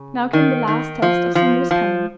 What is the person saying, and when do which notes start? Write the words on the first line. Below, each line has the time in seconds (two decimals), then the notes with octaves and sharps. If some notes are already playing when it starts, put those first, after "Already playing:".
Now came the last test of Sindri's cunning.
Already playing: C#3
0.33 D#3
0.67 D#3
1.02 F3
1.35 F3
1.71 F3